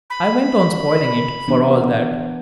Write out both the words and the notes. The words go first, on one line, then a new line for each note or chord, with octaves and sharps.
I went on spoiling it, for all that.
B5
E3 B3 D4